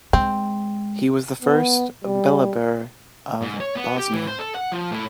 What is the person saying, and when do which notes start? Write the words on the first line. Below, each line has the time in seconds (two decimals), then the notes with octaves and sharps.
He was the first beylerbey of Bosnia.
0.13 G#3 C4
1.43 B3
2.05 G3
3.42 G#2
3.60 C#5
3.76 B3
3.98 G4
4.13 E3
4.28 C5
4.39 A4
4.54 F#5
4.72 F3
4.91 A2